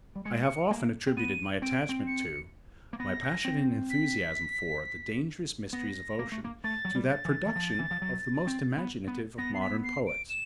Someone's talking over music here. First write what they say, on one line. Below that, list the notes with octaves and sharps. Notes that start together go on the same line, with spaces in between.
I have often attributed my attachment to, my passionate enthusiasm for, the dangerous mysteries of ocean to that production of the most imaginative of modern poets.
G3
G#3 C#7
D7
C#7
A#3
C4
B3 D#7
C4 D7
C4
C#7
A#3
B3 A#6
C4
B6
B3 A#6
A#3
A3
A#3
A3 A6
F#3
G3
A6
E3
E3
F3
E3
F3
F#3
C4
B3
B3
B3 A#6
C7
B6
C7
D7
E7